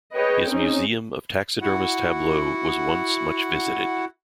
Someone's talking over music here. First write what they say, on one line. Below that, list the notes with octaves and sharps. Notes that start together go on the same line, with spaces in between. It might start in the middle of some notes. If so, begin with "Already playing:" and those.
His museum of taxidermist's tableaux was once much visited.
G#4 B4 C#5 D#5 G5
C4 C#4 D#4 G#4
E4 F#4 F#5